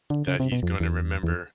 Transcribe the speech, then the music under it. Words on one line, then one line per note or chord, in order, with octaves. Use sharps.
that he's gonna remember
D3
C#3
C3
B2
F2
E2
E2